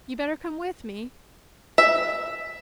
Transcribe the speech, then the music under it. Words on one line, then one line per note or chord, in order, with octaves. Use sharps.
You'd better come with me.
E5